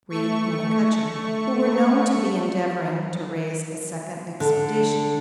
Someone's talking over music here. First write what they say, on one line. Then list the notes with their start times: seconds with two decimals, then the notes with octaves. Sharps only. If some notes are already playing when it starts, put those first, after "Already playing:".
Reed and McCutchen, who were known to be endeavoring to raise a second expedition.
0.10 A3 C#6
4.40 D3